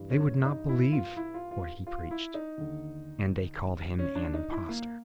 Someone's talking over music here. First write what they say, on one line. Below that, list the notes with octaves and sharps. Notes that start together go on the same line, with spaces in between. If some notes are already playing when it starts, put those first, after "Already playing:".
They would not believe what he preached, and they called him an impostor.
Already playing: G2 E3
C#4
D#4
E4
F4
E4
F4
F4
F4
E4
D#4
D#2 D3
C#4
D4
D#4
E4
A#3